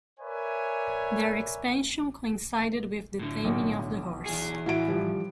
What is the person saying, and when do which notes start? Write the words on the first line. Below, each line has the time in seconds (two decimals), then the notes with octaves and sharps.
Their expansion coincided with the taming of the horse.
0.19 A#4 B4 C#5 D5 E5 G#5
3.19 A2 D3
3.45 B1
4.26 E3 G#4
4.66 A2 E3 E4 F#4 D7
4.88 F3 G3